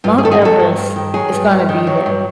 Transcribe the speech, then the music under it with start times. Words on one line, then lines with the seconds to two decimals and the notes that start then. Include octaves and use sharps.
Mount Everest is gonna be there
0.04 G2 F4
0.18 G#4
0.23 D#3 A4
0.32 G#4
0.42 F#3 A4
0.60 G2
0.77 G2
0.96 D#3
1.14 F#3 G#4
1.32 G2
1.51 G2
1.69 D#3
1.87 F#3
2.06 G2